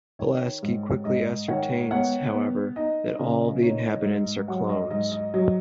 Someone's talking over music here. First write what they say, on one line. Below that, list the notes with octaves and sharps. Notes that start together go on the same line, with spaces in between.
Pulaski quickly ascertains, however, that all of the inhabitants are clones.
D#3 C#5
G#2
G#2 D#5
D#3 C#5 F#5
B3 C#5 F#5
B3
D#4 D#5
C#3
D#4 C#5
D#5
G#2
F#3 C#5 F#5
D#5
G#2 D#5
D#5
F#3 D#5